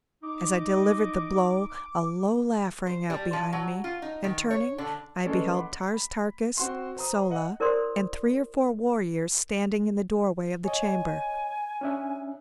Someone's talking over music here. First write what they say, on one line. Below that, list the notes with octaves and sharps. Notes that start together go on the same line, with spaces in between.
As I delivered the blow a low laugh rang out behind me, and, turning, I beheld Tars Tarkas, Sola, and three or four warriors standing in the doorway of the chamber.
D#4 D6
C5
G3
F3
F#3
F4
D#4
D#3
C#5
D3
E3 G#3 C#4 A4 D5
F#5 B5 C6 D6
B5
C4 F#4 C6
C5 A#5 D#6
D#5 F#5
E4 A#4 C5 D5 C6 D#6
C#5 D#5 G#5
C#4 D4 E5